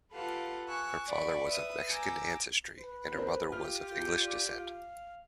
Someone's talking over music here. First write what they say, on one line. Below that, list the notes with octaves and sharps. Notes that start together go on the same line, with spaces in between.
Her father was of Mexican ancestry, and her mother was of English descent.
F4 G4 A4 B4 F5 F#5
G#5 C#6 E6 F#6
D5 F#5 B5 C#6
B4 E5 D#6
G#5 A#5 D6 E6 G6
B4
C4 A#4 C5
F4 G4 F6
G6
D5
F5